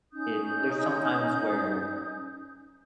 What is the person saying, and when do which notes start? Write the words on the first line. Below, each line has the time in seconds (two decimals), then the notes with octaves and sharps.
it there's sometimes where,
0.12 C#4 D#4 D#6 G6